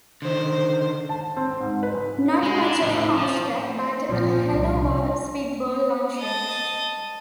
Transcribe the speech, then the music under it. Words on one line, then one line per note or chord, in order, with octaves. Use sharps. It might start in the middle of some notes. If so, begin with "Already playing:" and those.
Not much of a mousetrap, but a helluva spitball launcher...
D3 D#3 C5
A5
C4
G#2
B4
G#3
D4
A2 F3
F3
A#2 F3
C2
D#5 A5